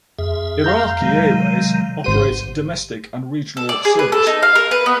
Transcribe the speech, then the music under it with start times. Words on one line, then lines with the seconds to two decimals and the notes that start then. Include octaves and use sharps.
Iraqi Airways operates domestic and regional service.
0.19 F2 G#4 E5
0.64 F5 A#5 G6
1.01 C3 D#3 F#3 G#3
2.04 G#1 G4 C5 F#5 D#7
3.57 A4
3.69 D5
3.85 G#4
3.99 B4
4.12 A4
4.27 D#4
4.43 F5
4.55 A#4
4.71 B4
4.86 B3